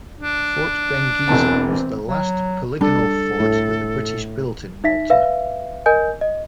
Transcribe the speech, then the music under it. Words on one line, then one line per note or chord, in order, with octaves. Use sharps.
Fort Benghisa was the last polygonal fort that the British built in Malta.
D4
E1 E2 E3 C4 A5
F#3
G3 D4 A4
A2
D#4 E5 B6
B4 E5 F5
A#4 D#5 G#5 G6
D#5